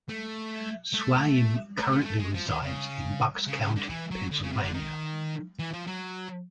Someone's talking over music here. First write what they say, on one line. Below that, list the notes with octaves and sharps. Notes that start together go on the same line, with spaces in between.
Swaim currently resides in Bucks County, Pennsylvania.
A3
A3
A3
A3
G#3
A3
G#3
F3
D#3
C#3
C#3
C#3
D3
E3
F#3
D3
C#3
C3
D3
D#3
E3
F3
F#3